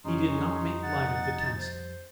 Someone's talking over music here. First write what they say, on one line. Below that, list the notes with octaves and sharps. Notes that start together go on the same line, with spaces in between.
He did not make light of the task.
F2 G3 C#4 D#4 C6
F#5 A6
C5